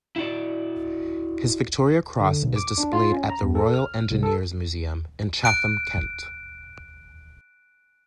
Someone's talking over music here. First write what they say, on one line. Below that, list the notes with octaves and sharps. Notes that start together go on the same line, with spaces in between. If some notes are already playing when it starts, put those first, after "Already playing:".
His Victoria Cross is displayed at the Royal Engineers Museum in Chatham, Kent.
E4 F#4 D5
D3
B1
D6
D4
F4
C#4
A#5
E2
A4
F6
C2
A4
F#6 D7